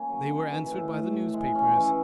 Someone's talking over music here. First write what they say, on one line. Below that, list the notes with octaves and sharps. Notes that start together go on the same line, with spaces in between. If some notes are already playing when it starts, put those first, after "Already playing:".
They were answered by the newspapers.
Already playing: A#3 C#4
F#3
G#3
E3
A2
A2
A2
G#3
C#4
E3